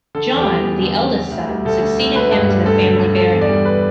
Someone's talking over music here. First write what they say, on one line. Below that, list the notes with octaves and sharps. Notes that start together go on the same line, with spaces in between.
John, the eldest son succeeded him to the family barony.
D3 A4
E2
G4
G3
E2
D3
E2
D3
D2
G3
D2 A4
D3
D2
D3 B4
G2
G3
G2 A4
D3
G2
D3 A4
E2
D5
G3
B4